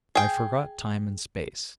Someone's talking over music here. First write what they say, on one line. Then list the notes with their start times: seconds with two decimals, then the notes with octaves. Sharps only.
I forgot time and space.
0.15 G#4 G5